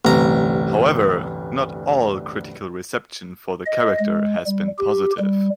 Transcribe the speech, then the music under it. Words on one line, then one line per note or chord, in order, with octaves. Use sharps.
However, not all critical reception for the character has been positive.
A1 D2 G2 C3 A#5
D#5
G#3
G3
G4
G3